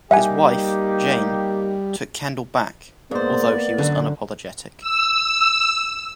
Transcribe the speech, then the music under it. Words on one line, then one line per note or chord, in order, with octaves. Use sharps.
His wife, Jane, took Kendall back, although he was unapologetic.
G3 A#3 D#4 G4 E5 F#5 G#5
G#2 A#3 B3 C5 D5
F#2 D3
E6